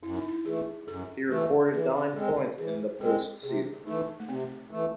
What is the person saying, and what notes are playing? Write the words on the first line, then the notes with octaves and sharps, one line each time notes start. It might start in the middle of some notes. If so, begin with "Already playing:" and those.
He recorded nine points in the post-season.
F#2 E4
D#4
E4
E3 A3 G#4
F#2 A4
E3 A3 A4
E3 G#4
C#4
G#3 C4 A4
E3 G#4
G#3 C4 A4
C3 G#4
E3 A3 D#4
A3
C3 C4
E3 A3